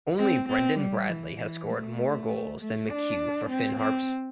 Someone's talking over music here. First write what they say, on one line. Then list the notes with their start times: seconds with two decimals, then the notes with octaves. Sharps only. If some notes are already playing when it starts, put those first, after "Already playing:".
Only Brendan Bradley has scored more goals than McHugh for Finn Harps.
0.19 C4
0.49 C4
0.79 G3
1.09 E3
1.39 E3
1.69 A3
2.60 A3
2.90 D4
3.50 C4
3.80 C4